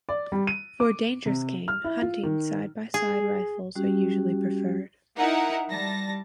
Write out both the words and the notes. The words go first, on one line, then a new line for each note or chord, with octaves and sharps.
For dangerous game hunting, side by side rifles are usually preferred.
D5
G3
D#7
D6
C3
F6
E4
F4
D#3
G#4
G3 C#4 F#4 G4
D#4 E4 A#4 E5 F#5
G3 A5 A#6